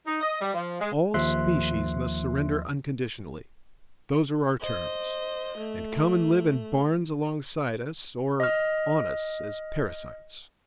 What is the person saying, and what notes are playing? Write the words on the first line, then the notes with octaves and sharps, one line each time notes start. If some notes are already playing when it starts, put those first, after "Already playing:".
All species must surrender unconditionally--those are our terms--and come and live in barns alongside us; or on us, as parasites.
D#4
D#5
G3
F3
G#3
D#2 F3 E5 C6 F#6
C5 D#5
A3
D#5 F6